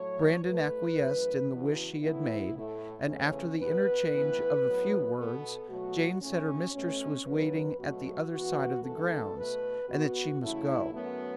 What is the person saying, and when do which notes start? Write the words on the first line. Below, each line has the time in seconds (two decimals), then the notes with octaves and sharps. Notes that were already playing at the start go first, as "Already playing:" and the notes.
Brandon acquiesced in the wish she had made, and, after the interchange of a few words, Jane said her mistress was waiting at the other side of the grounds, and that she must go.
Already playing: A2 F#3 A3 C#5
0.44 A2 A3 B4
0.96 F#2 E3 A3
1.49 E2 C#3 E3 F#4
2.02 A2 E3 B3 E4
2.54 A2 A3
3.07 E2 C#3 E3 A3 C#4
3.59 B2 B3 B4
4.12 A2 E3 B3
4.64 A2 F#3 B3
5.16 B2 B3 A4
5.69 B2 F#3 A3 F#4
6.21 A2 A3 C#4
6.74 B2 A3 C#4
7.26 E2 C#3 F#3 B4
7.78 B2 F#3 A3 F#4
8.31 E2 E3 B3 F#4
8.84 F#2 E3 A3 A4
9.36 B2 A3 B4
9.89 B2 B3 F#4
10.41 E2 C#3 A3 E4
10.93 F#2 F#3 A3 B3